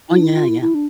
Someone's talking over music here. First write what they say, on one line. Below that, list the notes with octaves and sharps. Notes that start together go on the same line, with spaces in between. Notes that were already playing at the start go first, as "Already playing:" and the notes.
Oh, yeah, yeah.
E4
D4
E4
F4
E4
E4
D4